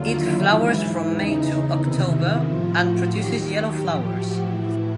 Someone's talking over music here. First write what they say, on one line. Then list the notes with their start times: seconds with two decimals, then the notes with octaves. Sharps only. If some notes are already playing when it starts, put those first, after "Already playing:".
It flowers from May to October and produces yellow flowers.
Already playing: D#2 D3 F#3 F4
0.13 E4
0.46 G#2 E3
1.12 E2 C#3 E3 D#4
1.77 E2 C3 D#3 E4
2.44 A2 F3 F4
2.77 F#4
3.09 D#2 D#3 F#3 G4
3.43 G4
3.76 A2 F3
4.09 F#4
4.41 A2 E3 E4